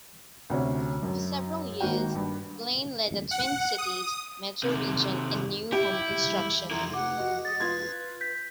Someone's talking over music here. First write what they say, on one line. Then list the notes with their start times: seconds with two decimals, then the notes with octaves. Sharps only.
For several years Blaine led the Twin Cities metro region in new home construction.
0.50 D2 C3 C#4 C#5
1.03 F#2
1.81 G#1 A#3 F#4 G5
2.15 G2
3.31 F#5
3.78 D#6
4.63 C3 D#3
5.72 E4 G4
6.71 E4 A#4
6.94 F#5 D6
7.16 F#4 D#5
7.45 D#5 A6
7.60 F4 B4 C6 G#6
8.21 G6 B6